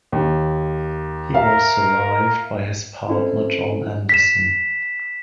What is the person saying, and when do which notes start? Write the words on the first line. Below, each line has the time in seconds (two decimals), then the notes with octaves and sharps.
He was survived by his partner John Anderson.
0.12 D#2
1.34 A#4 E5 F5
3.08 C4 C#4 E4 F4 A4 C5
4.09 B6 E7